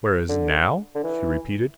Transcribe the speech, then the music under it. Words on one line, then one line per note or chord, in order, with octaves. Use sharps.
"Whereas now?" she repeated.
D3
D3
E3